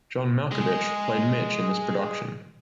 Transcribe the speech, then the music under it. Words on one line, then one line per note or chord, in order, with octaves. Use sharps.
John Malkovich played Mitch in this production.
G#3 G#4